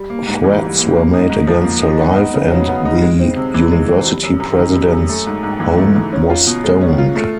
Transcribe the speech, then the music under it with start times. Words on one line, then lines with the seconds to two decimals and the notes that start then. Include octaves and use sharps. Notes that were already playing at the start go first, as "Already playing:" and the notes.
Threats were made against her life and the University president's home was stoned.
Already playing: G3
0.10 A#3
0.27 G#2
0.44 E3
0.62 G3
0.78 A#3
0.96 A#3
1.13 D#4
1.30 G#2
1.47 F3
1.64 A#3
1.82 D#4
2.00 B3
2.16 D#4
2.34 C#3
2.50 F#3
2.67 B3
2.85 D#4
3.02 G#3
3.19 C4
3.36 C3
3.54 E3
3.72 G#3
3.89 C4
4.06 G3
4.23 F#2
4.40 F#2
4.57 D#3
4.74 G3
4.92 F#2
5.09 A3
5.27 G#2
5.43 G#2
5.60 E3
5.77 A3
5.95 G#2
6.13 C#4
6.30 F4
6.46 B2
6.64 G#3
6.81 C#4
6.98 F4
7.15 A3